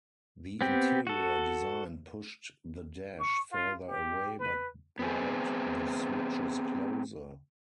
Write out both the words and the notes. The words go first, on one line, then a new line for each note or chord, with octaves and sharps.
The interior design pushed the dash further away, but brought the switches closer.
B3 C4 G4
F#4 A4
C#6
F4
G4
B4
B3 C4 G#4